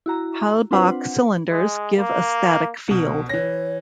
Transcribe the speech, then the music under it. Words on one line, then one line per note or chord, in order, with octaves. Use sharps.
Halbach cylinders give a static field.
E4 F#4 A#5
C4 D4 F4 B4 C5 F#5
G#3
A#3
C2 B2
E3 C#5 A#6